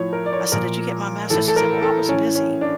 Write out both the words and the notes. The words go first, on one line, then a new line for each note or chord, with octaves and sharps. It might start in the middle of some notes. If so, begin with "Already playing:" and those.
I said, "Did you get my message?" She said, "Well, I was busy."
Already playing: A2 F3 C#5
A#4
D5
C#5
A#2 F3 A#4
A2 E3 A4
A4
A#4
A4
A2 E3 C#4
C#4
D4